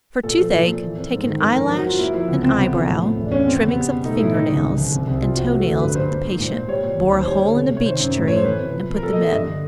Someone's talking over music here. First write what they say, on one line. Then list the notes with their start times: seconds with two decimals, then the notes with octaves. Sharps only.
For toothache take an eyelash, an eyebrow, trimmings of the finger-nails, and toe-nails of the patient, bore a hole in a beech-tree, and put them in.
0.23 A#2 A4
0.38 F3
0.53 A#2
0.68 A#2
0.82 E3
0.97 F2
1.12 G#2
1.26 D#3
1.41 F2 A#4
1.55 F2
1.70 F#3
1.78 F#4
1.84 F#3 F4
1.99 A#3 E4
2.14 F3 E4
2.28 C#2 B3
2.43 C3 C4
2.58 D3 B3
2.73 F3
2.87 A2
3.02 A2
3.17 E2
3.25 D4
3.31 E2 C#4
3.45 F2 C4
3.53 B3
3.61 C#3
3.68 B3
3.75 G3
3.90 B2
4.04 A3 D#4
4.20 A2 E4
4.34 D#3 D#4
4.48 C#2
4.63 C3
4.78 C2
4.92 C2
5.07 C2
5.22 G3 F4
5.36 F2 F#4
5.51 A3
5.66 D2
5.80 G2 B4
5.95 G2 C5
6.10 A#3
6.25 G#2
6.39 A#2
6.53 A#2
6.68 G3 C#5
6.83 A#2
6.97 D#2
7.12 D#2
7.19 C5
7.27 G3 C#5
7.42 D3
7.56 C3
7.71 C3
7.77 C#5
7.86 D#3 C5
8.00 F#2
8.15 A2
8.28 A2 C#5
8.36 C5
8.44 E3 B4
8.59 C3
8.74 F3
8.89 A#3
8.96 A#4
9.03 A#2 A4
9.13 D#5
9.18 A#3
9.23 E5
9.32 G2 D#5
9.47 D3